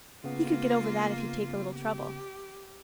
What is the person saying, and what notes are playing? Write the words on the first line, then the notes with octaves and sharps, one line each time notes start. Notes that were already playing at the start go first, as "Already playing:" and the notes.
He could get over that if he'd take a little trouble.
C#3 A#3 B3 F4
G4